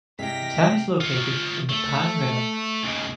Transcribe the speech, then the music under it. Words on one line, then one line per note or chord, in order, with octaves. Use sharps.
The town is located in the Pan River.
G2 C3 G#3 E4 F5 G5 A#6 B6
F4 C#5
A3
D#2 C#3